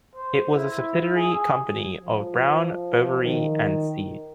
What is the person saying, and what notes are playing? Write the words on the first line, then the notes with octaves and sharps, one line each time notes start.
It was a subsidiary company of Brown, Boveri and Cie.
C5
E4
G#4
F3
D#3